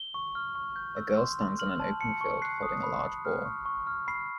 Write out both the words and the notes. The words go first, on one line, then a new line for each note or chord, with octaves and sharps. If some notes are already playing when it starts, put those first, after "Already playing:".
A girl stands on an open field holding a large ball.
Already playing: G7
C#6
F6
C#6
G6
E6
C6
C6
F6 F#7
A5
A5 C#7
C#6
F#6 C7
D#6
B5
B5
F6
C#6
C#6
F6
B5 C7